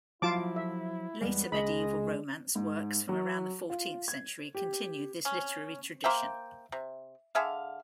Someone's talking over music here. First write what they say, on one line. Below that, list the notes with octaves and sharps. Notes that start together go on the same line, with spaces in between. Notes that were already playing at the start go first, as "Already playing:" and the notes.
Later medieval romance works from around the fourteenth century continued this literary tradition.
F3 F#3 E4 F4 A5 D6
E5
E2 G3 G#3 B3
C#2 G#3 D#5 B5
G#2
F#3
F4
G#6
G4
C#4
A#3 C5 E5 G5
C3
D3 G#4 E5 F5